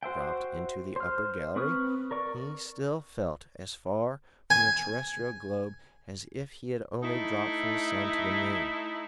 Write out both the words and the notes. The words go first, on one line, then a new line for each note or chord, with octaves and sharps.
When he dropped into the upper gallery he still felt as far from the terrestrial globe as if he had only dropped from the sun to the moon.
F#4 C5 E5 G5
C5 F6
C4 B4 C#6 D#6 F6
A#4 D5 C#6
G#5
A3 D#4 E4